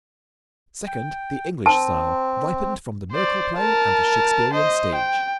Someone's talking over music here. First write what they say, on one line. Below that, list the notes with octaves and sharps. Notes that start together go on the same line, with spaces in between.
Second, the English style, ripened from the miracle play and the Shakespearian stage.
G5
C4 A5
C5 D5
A#4 A5
C5 D#5
G5